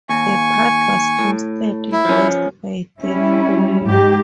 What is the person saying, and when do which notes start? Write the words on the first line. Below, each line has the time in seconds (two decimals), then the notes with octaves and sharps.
The part was instead voiced by Dave Coulier.
0.09 D#2 G#5 C#6
1.19 A2
1.92 E4
2.05 F3 C#4
3.01 G3 C#4 E4
3.84 G#2 G4